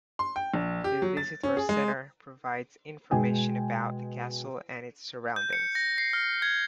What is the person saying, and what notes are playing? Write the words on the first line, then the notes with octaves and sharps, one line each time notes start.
A visitors centre provides information about the castle and its surroundings.
C6
G5
A#1
G4
F#3
A6
C#4
G#4
G#3
B2 G#3 B3 G5 G#5
G6
C#7
A#6
C7
F6
G#6